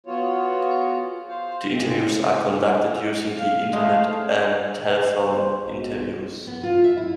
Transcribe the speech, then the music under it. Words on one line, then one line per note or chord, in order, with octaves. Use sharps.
The interviews are conducted using the internet and telephone interviews.
F#3 B3 F4 F#4 C#5
C5 F5
C#3 G#3 C4
F5
G#3 A3 D#5 F5
C5
B1
B3
F4
E5
E4